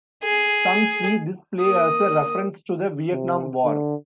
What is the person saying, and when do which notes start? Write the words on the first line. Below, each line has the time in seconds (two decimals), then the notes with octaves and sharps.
Some see this play as a reference to the Vietnam war.
0.24 G#4
1.60 A#3 D#6
3.12 C3
3.64 D3